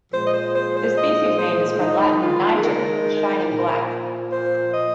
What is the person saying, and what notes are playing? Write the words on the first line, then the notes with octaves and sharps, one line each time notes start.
The species name is from Latin "niger" "shining black".
A#2 F3 G#3 C5
D#5
C5
C5
C5
D#5
C5
D#3 G#3 D#4
F4
G#4
A#4
A#2 F3 A#3
C5
D#5